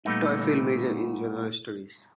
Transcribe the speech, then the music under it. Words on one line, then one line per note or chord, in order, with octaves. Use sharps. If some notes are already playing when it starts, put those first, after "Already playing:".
Toefield majored in general studies.
A#2 G3 A3 B3 D#4